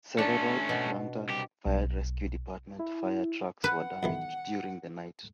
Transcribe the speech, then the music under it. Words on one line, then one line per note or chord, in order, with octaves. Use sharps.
Several Atlanta Fire Rescue Department fire trucks were damaged during the night.
A3 C#4 D4
B2
C2 G4
B1
E4
B4 F#5
B1 D#3 E3